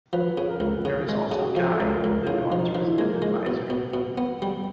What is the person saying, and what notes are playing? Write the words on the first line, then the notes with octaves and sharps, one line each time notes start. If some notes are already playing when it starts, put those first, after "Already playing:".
There is also Guy, the dorm's resident adviser.
F3 B4
C#3
A#4
C#2
C#3
G#3
C#3 F#4
G4
G#4
F3 A4
A4
C#2
A#4
C#2
A#4
C#3 F4
D#4
F3
D#4
F3
E4
G#3 A#3
G#3
B2
B2
B2
B3
G3